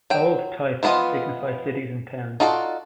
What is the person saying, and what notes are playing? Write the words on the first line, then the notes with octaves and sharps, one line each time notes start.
Bold type signifies cities and towns.
F#3 G5
E3 F3 B3 F4 D#5
D#4 F4 F#4 A4 D5